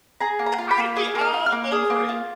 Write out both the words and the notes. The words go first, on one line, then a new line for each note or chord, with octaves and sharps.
I'd be all over it.
G#4 A#5
A#3
A#5
F4
B5
A#3
G#4 D#6
A#3
F6
F4
F6
A#3
G#4 D#6
A#3
F4